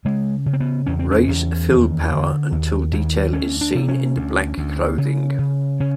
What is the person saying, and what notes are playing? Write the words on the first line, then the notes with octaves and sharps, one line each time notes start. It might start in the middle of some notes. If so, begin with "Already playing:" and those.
Raise fill power until detail is seen in the black clothing.
C#3 G#3
C#3
C4
B3
E2 C#4
C4
C#4
E2
D#2
D3
D#2
D#2
D2 C#4
D4
C3
C#4
D2
D2
C#3
C#3
C#3 C#4